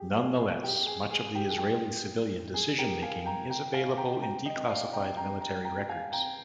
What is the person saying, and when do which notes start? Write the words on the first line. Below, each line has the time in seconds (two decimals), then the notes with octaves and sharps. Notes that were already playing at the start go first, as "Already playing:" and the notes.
Nonetheless, much of the Israeli civilian decision-making is available in declassified military records.
Already playing: G4 G#4
0.16 G#4
0.39 G#4
0.64 G4
0.87 G#4
1.11 G#4
1.35 G4
1.50 G#4
1.58 G4
2.54 G#4
2.78 G4 A#4
3.02 F5 G#5
3.26 G5 A#5
3.50 G5 A#5
3.73 F5 G#5
3.98 G5 A#5
4.22 G5 A#5
4.45 D#5 G5
4.70 D5 F5
4.93 G5 A#5
5.17 G5 A#5
5.41 G5 A#5
5.65 G5 A#5
5.89 F5 G#5
6.13 G5 A#5